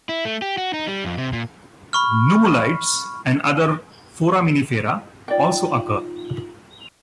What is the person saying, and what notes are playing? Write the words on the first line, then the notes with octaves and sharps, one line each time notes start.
Nummulites and other foraminifera also occur.
E4
A3
G4
F#4
D#4
G3
F2
C3
A#2
B5 C#6 F6
D#4 F4 D5 G5